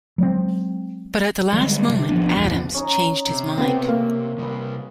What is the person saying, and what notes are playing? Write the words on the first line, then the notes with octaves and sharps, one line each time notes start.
But at the last moment, Adams changed his mind.
F#3 G#3 A#3 C4
D3 G3 G#3
C3
A1 F3 B3 D4
D1 A#1 F2 B2
C#4 D#4 A#5
C3
B3 C4 G5 A5 C#6
A#3
C3 G3 B4 D#5